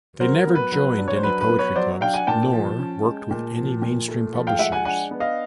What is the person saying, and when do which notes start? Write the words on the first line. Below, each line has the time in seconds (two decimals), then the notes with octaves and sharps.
She never joined any poetry clubs nor worked with any mainstream publishers.
0.20 F#3 A#4 C5
0.38 A#4
0.47 B3
0.55 B4
0.72 F#3 B4
0.98 D4
1.08 C#5
1.16 C5
1.23 F#3 B4
1.41 B4
1.49 B3
1.59 B4 C#5
1.76 F#3 C5 D5
2.01 D4 F5 G5
2.14 F#5 G#5
2.27 A#2 G5 A5
2.53 F3
2.79 C#4
3.04 G#3
3.31 A#2
3.57 F3
3.82 A#2
4.08 A3
4.34 F3
4.47 F5 G5
4.59 G#3 E5 F#5
4.72 F#5 G#5
4.85 D4 F#5 G#5
5.11 B3
5.20 D#5 F5